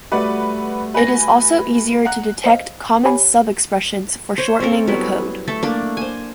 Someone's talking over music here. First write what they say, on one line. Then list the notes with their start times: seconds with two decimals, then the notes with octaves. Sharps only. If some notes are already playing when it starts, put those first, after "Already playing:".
It is also easier to detect common sub-expressions for shortening the code.
0.12 G3 A3 F#4 B4 D5 F#5
0.94 B4 G#5 A#6
2.05 F#5 A#5 F#6
2.44 C5 D#5 F5
3.05 G4 C#5 G#5 B5
4.38 C5 C#5
4.60 C4 C#4 A4 A#4
4.87 F#3 G3 B3 E4
5.47 A3 A4 E5
5.63 A3 A#3 D4
5.97 C5 G#5